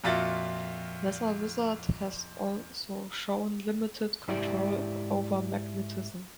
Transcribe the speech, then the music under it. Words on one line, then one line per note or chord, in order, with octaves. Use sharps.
Weather Wizard has also shown limited control over magnetism.
F2 A#2 F4 F#4 E5 A6
G#2 E4 G4 D5